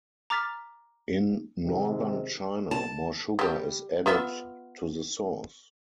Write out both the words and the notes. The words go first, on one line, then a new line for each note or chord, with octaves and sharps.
In northern China, more sugar is added to the sauce.
A#5 D6 F6 A6 B6
C3 D#3 G#3 C4
A5
G3 G4
B3 F4 E5